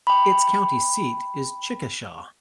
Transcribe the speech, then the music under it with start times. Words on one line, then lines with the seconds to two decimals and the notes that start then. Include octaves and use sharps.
Its county seat is Chickasha.
0.07 G5 B5